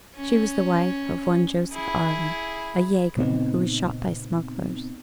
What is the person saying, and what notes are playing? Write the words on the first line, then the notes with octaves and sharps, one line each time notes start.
She was the wife of one Joseph Arler, a jaeger, who was shot by smugglers.
C#4
E4 G#4
A#2 C#3 B3 C4 D#4